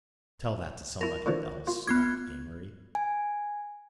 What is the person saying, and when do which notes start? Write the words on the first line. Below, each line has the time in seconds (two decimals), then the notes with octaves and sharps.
"Tell that to somebody else," scoffed Amory.
1.01 E4 A#4 A5
1.26 D3 E3 F3
1.67 F4
1.87 B3 F4 D6 G#6
2.95 G#5